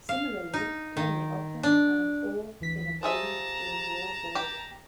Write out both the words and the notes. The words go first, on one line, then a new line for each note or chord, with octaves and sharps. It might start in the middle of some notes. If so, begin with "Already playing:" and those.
Similarly, Tony Oklend found ore in a boulder during World War One.
F5
D#4
D#3
D4
D2 E3 B6
F3 G4 G#4 E5 A5 A#5
G4